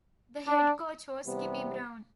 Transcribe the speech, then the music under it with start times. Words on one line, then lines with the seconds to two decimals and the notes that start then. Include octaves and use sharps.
The head coach was Kippy Brown.
0.47 D4
1.24 E2 C3 G3 B3